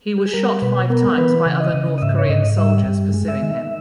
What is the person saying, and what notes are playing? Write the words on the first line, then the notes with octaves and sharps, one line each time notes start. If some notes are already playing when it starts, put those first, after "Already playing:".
He was shot five times by other North Korean soldiers pursuing him.
G4
G#4
G3 A#4
B2 B4
B3 A#4
A#4
E3 B4
C#3
D#5
C#3
D#5
G#2 E5
C#5
G#2 D#5
G3 E5
G2
G#3
E5
D#3